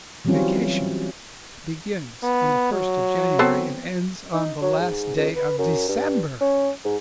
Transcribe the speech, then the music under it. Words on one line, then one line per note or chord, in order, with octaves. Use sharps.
Vacation begins on the first of January and ends on the last day of December.
E3 F#3 G3 C4 C#4 F4
B3
F#3
B3 C4 A4
D#4
F#3
G#2
C#2
B4
F#2
G2
C#4
G#2